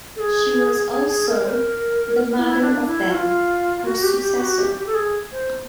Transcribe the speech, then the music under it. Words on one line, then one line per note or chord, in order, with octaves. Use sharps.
She was also the mother of Den, her successor.
A4
G#4
G#4
G#4
A#4
C5
A#4
F4
E4
D4
E4
F#4
F4
F#4
G4
G4
F#4
G4
G4
A4
G#4
C5